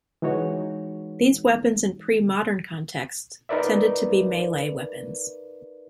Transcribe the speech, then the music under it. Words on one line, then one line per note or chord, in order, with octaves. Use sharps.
These weapons in pre-modern contexts tended to be melee weapons.
E3 G#3 D#4 F#4 C#5
D#4 A#4 B4 D5 E5